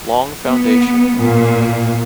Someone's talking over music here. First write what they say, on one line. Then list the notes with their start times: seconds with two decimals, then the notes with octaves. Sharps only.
Long Foundation.
0.44 B3
1.17 A#2